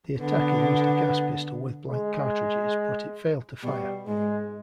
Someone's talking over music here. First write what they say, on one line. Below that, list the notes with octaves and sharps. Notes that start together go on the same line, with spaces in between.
The attacker used a gas pistol with blank cartridges but it failed to fire.
D3 B3
G#3
B2 G3
G#2 G#3